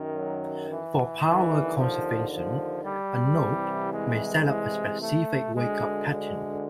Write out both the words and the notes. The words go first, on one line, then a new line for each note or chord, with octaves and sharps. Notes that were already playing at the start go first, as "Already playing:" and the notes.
For power conservation, a node may set up a specific wake up pattern.
Already playing: F#2 D#3
F#3
E3
D#2 D3 E3
F3
F3
G3
C2 C3 E3
G#3
G#3
A3
D2 D3 G#3
G#3